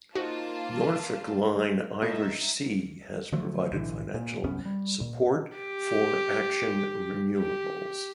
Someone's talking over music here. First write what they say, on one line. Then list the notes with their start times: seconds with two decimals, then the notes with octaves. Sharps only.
Norfolkline Irish Sea has provided financial support for Action Renewables.
0.15 A#3 D#4 F4 F#4 C5 D#5 A5
0.84 B4
2.02 B2 D#4 A#4 D#5 E5
3.32 D3 F3 F#3 A3
3.71 B1 A2 D3 E3
4.14 A#2
4.44 C2 F#2 B3 C#4
4.65 G3
5.01 A#2
5.56 G4
7.38 G4